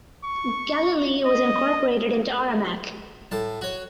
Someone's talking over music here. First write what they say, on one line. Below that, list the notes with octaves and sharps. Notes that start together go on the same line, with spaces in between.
Galilee was incorporated into Aramac.
C#6
D#5
A2 A5
F#4 C#5